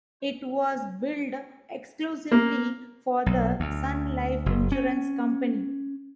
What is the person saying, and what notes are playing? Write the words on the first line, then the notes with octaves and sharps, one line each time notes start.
It was built exclusively for the Sun Life Insurance Company.
A#3
B1
D2
F#1
C#4